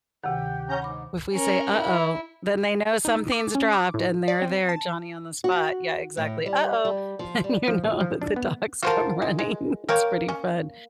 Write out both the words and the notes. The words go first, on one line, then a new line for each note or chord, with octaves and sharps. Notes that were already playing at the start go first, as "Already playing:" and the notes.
If we say, "uh-oh," then they know something's dropped, and they're there, Johnny on the spot. Yeah, exactly. "Uh-oh." And you know that the dogs come running. It's pretty fun.
D2 C3 D#3 G4 F#5
C#4 A#5 G6
G#2 B5 D6
C#4 A#4
E4
D#4
D6
C#4
D6
A2
D5
C4
A5
F#4
A2
G3
G3
F3
G3
F3
A#1
F3
D4
B3
F4 F#4 A#4 C5 A5
G#3
G#3
A#3 A#4 C#5 G5
C#4